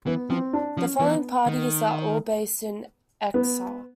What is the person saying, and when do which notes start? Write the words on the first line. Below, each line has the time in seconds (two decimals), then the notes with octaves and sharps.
The following parties are all based in exile.
0.06 E3 B3
0.30 F3 C4
0.53 D4
0.77 F3 C#4
1.00 E3 B3
1.47 D#3
3.34 B3